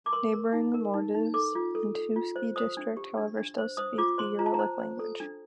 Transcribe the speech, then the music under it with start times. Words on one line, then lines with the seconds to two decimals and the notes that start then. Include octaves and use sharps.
Neighbouring Mordvins in Tetyushsky District, however, still speak a Uralic language.
0.06 D6
0.13 A#4 C6
0.33 A#4
0.53 D#4
0.74 A#4
0.94 D#4
1.14 D#4
1.34 A4 D6
1.55 F4
1.75 A4
1.95 A4
2.16 F4
2.36 C5
2.56 C5 D#6
2.77 D4
2.97 G4
3.17 D4
3.37 D4
3.58 C5
3.77 C5 D#6
3.98 F4 D6
4.18 C5 C6
4.39 F4 A#5
4.46 A5
4.54 C5 A#5
4.79 C5
5.00 A4
5.20 D4